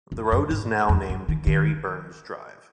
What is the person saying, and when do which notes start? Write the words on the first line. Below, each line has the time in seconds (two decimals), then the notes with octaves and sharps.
The road is now named Gary Burns Drive.
0.12 F2
0.32 F#2
0.51 G#2
0.89 F2
1.09 F#2
1.29 D#3
1.47 D#3